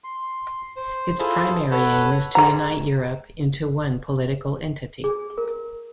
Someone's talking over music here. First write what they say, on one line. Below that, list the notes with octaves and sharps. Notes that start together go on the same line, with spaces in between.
Its primary aim is to unite Europe into one political entity.
C6
C5
E4 F4 G#4 A4 C5
A4 B4 C#5 F#5
G#3 A#5
G#4
A#4